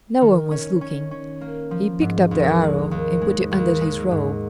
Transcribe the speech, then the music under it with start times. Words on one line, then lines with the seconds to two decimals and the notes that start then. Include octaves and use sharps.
No one was looking. He picked up the arrow and put it under his robe.
0.21 D#3
0.51 C#4
0.81 C#4
1.11 C#4
1.41 A#3
1.71 F3
2.01 G#2
2.31 D#2
2.61 G#3
2.91 D#2
3.21 G#3
3.51 D#2
3.81 G#3
4.11 G#2